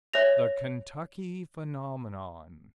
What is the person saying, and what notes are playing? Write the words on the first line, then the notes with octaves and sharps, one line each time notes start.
"The Kentucky Phenomenon."
C#5 E5 A#6 F7